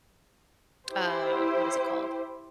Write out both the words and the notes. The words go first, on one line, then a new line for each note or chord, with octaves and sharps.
a, what is it called?
E4 G4 C5